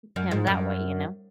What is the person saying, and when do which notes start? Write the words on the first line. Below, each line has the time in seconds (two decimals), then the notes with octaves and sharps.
him that way, you know?
0.16 F#2
0.31 G#2
0.47 F#2